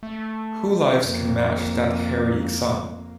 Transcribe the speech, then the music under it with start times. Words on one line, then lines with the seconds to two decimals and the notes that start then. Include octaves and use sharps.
Who lives that can match that heroick song?
0.03 A3
1.03 F2 A#3